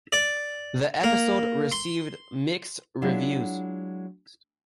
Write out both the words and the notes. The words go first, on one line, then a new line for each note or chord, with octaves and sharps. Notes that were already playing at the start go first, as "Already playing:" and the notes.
The episode received mixed reviews.
D5
A#3
C6
F#3 G#3 D4 E4 F4